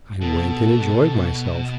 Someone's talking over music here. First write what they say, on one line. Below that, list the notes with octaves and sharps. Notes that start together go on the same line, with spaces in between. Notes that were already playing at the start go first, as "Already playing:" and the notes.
I went and enjoyed myself.
B2 A4